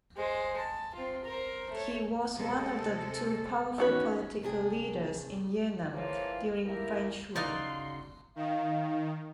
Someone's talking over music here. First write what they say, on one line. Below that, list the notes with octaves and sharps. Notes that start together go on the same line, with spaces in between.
He was one of the two powerful political leaders in Yanam during French rule.
G#3 C5
A5
C4 F4
A#4 C5
A3 C#5
C3 G#3 A4
D#3 B3 C#4 F#4 B4
C3 D4 G#4
E3 F3 A#3 F4 G#4 C#5
A3 A#3 E4 G4 A#4
C#3 D#4 F#4 D5 D#5 F5 C6 F6
D#3 F5